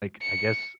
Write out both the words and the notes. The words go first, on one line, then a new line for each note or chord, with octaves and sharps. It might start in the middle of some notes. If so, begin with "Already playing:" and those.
like, I guess,
C#7